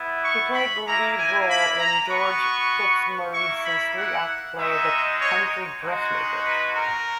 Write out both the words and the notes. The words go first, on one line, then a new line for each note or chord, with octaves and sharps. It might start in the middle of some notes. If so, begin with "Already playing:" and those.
She played the lead role in George Fitzmaurice's three-act play "The Country Dressmaker".
Already playing: B3 E4
C#6
B5
A#3 E4 A#5
G#5
B5
A#5
B3 F#4 C#6
A#3 E4 C#6
B5
F#5
G#3 D#4 F#4 E5
C#5
G#3 D#4 F#4
B4
A#4